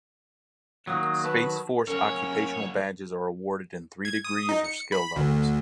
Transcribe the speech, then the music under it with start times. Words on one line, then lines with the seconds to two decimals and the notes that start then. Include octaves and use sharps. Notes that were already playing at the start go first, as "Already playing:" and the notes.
Space Force occupational badges are awarded in three degrees or skill levels.
0.87 D#3 F#3 A#3 D#6
1.24 B4 A5
1.88 F#2 A#3 C#4 A#4 C#5
4.05 G#6
4.25 D#6
4.49 D#4
4.65 C#7
4.92 B5
5.16 D2